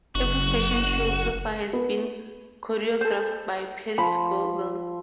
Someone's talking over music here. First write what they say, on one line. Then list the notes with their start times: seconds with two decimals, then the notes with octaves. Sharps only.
Every fashion show so far has been choreographed by Parris Goebel.
0.15 F#1 F#4
1.73 B3
3.01 A4 C5
3.98 F3 B5